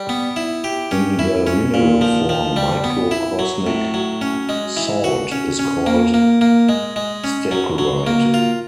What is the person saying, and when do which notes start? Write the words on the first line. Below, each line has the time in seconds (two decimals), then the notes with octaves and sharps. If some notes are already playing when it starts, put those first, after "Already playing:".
In the mineral form, microcosmic salt is called stercorite.
Already playing: G3
0.09 B3
0.36 E4
0.64 G4
0.91 C#4
1.19 E4
1.47 C#4
1.74 A#2
2.01 F3
2.29 F3
2.56 G3
2.84 B3
3.11 E4
3.39 F#3
3.67 A2
3.94 F#3
4.21 C#4
4.49 G#3
4.77 E3
5.04 F#4
5.32 C#4
5.59 C#4
5.86 A#3
6.14 A#3
6.41 A#3
6.69 G#3
6.96 G#3
7.24 C#4
7.51 F#3
7.78 F#3
8.07 A#3
8.34 F4